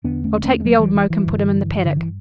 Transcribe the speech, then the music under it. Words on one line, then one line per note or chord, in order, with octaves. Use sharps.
I'll take the old moke and put him in the paddock.
E2 D3 B3 D4
A3 C#4
A3 C#4
B3
F#3 A3
E3 G3
E3
E3
G2 D3
D3
E3